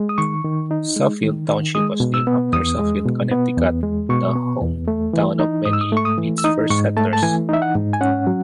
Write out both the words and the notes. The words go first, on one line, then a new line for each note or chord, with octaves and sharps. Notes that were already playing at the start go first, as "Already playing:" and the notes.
Suffield Township was named after Suffield, Connecticut, the hometown of many its first settlers.
Already playing: G#3
D#6
D#3 C#6
D#3
D#4
G#3
D#3
D#3
G#3 D#6
B2
E6
B3
E2 D#6
G#3
B2
B3
E2
G#3
B2 C#6
B3
E2
A3
E3
D#4
G#2 D#6
E6
D#6
A3 C#6
D#6
E3
E6
D#4 D#6
G#2 C#6
A3 A5
A5
E3 G#5
D#4 E5
F#5
G#2
G#5
C#4 F#5
F#3